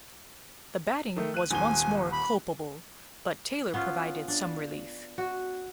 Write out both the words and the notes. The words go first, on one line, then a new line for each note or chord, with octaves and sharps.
The batting was once more culpable, but Taylor provided some relief.
D#3 A3
F#6 D#7
D#1 G#1 G#5 G7
B5
B3 C#4 F4
D4
F#4